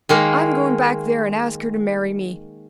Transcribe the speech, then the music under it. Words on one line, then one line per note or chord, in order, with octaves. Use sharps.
I'm going back there and ask her to marry me.
D#3 G#3 A#3